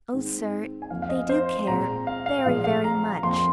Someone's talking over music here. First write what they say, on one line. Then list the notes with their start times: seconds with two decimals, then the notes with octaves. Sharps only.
"Oh sir, they do care, very very much!"
0.13 G#2 D#3 C4
0.82 G#5
0.90 F2 F3 A#3 F5
1.02 F5
1.09 D#5
1.29 C5
1.67 A#2 G#3 C4 A#5
2.07 F5
2.26 F5
2.45 A#2 F3 G#3 F5
2.64 F5
2.84 A#5
3.23 F2 F3 A#3 C6
3.33 C6